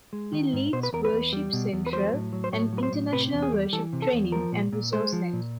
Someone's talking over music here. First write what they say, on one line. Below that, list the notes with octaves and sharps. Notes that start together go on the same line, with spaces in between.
He leads Worship Central, an international worship training and resource centre.
G#3
D#3
G#2
B2 C5
B4
E2 A#4
B4
E2
G3
B2
E2
B4
F#3 C5
A2
F#3
C5
A2 C#5
F#3
B4
C5
A2
C3 B4
E2
G#4
G3
E3 A4
C3
A4
E2
F3 A#4
A#2
A#2
G#3 C5
F3
A#2